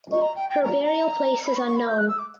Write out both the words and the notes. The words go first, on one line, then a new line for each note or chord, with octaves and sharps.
Her burial place is unknown.
C#6
A#5
G5
G5
A#5
A#5
B5
C#6
C#6
B5
G6
F#6
E6
D6